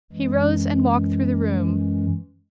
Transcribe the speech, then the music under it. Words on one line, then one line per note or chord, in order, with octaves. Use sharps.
He rose and walked through the room.
F#2 E3 G#3